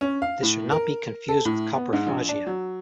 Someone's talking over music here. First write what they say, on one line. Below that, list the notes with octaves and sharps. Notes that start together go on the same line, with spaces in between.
This should not be confused with coprophagia.
C#4
F5
A2
A#4
A4
A2
B3
G#2
A#1
D4
F#3